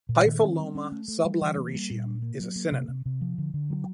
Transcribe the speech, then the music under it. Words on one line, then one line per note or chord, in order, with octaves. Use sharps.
"Hypholoma sublateritium" is a synonym.
A#2
D#3
C4
G3
C#4
A3
A3
G3
E3
A#3
G3
A#2
D4
A#3
F#3
A#3
C3
C3
C3
F3
D3
D3
F#3